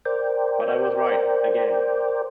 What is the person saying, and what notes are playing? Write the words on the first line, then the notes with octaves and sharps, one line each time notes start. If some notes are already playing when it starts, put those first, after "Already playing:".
But I was right - again!
A#4 C5 D5 G5